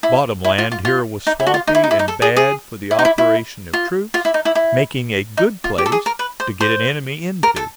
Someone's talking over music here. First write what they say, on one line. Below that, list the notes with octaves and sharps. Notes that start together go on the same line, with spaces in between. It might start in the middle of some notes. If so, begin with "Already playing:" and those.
The bottom land here was swampy and bad for the operations of troops, making a good place to get an enemy into.
E4
E4
F4
F4
F4
D#4
E4
F#4
F4
D#4
E4
D#4
E4
D#4
A4
G#4
G#4
E4
D#4
E4
E4
F4
F4
E4
D#4
E4
E4
D#4
F4
G4
A4
G#4
A#4
B4
C5
C5
A#4
A4